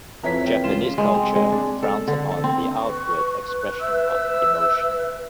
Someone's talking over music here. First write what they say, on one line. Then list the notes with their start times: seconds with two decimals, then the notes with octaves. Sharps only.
Japanese culture frowns upon the outward expression of emotion.
0.23 F2 E3 C#5 E5 A#5 B6
0.45 C#4 A#4 G5
0.64 C#2 F4 E7
0.98 G#3
1.14 C4
1.36 G#3
1.52 D4
1.83 A4
2.08 D3
2.31 A4
2.44 C4
2.81 B4 C#6
3.81 E5 E6